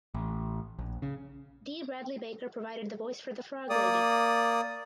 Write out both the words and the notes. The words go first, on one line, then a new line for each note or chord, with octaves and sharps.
Dee Bradley Baker provided the voice for the Frog Lady.
A1
A#1
C#3
A#3 D5 D#6